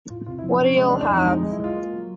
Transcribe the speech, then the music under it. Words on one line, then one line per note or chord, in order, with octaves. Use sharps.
What'll you have?
A2 F4
C3 F4
E4
F3
D4
C3 C#4
G#3 C#4
D4
E3
D4
F2 D#4
G#3 D#4
G#3
E4
G#3 F4
A#3
F#3